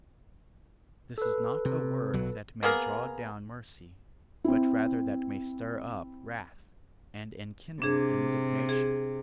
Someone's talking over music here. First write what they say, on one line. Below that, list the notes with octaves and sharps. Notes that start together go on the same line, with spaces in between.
This is not a word that may draw down mercy, but rather that may stir up wrath, and enkindle indignation.
A4 B4
C3
B1 F#3
A#3 B3 G#4 A#4
C4 E4
C3 D4 G#4
G#4